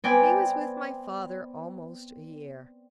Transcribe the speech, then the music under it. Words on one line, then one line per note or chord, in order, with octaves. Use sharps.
He was with my father almost a year.
B3 C4 D5 G5 G#5